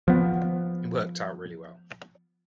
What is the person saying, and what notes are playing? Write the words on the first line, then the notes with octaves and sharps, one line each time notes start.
It worked out really well.
F3 B3